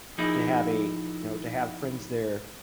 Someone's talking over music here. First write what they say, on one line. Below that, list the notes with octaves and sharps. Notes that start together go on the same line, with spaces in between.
to have a know, to friends there.
F3 A#3 D#4 E4 G#4